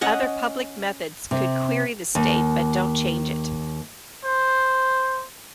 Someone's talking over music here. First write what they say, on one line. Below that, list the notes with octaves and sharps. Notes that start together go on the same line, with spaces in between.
Other public methods could query the state but don't change it.
C#4 D#5 F#5
C3
D#2
C5